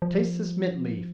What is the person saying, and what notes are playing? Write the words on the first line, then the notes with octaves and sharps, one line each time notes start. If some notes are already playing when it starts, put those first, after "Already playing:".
Taste this mint-leaf!
F3